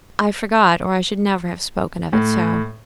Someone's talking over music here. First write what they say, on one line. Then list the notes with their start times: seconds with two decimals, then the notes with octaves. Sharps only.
I forgot, or I should never have spoken of it so.
2.13 A2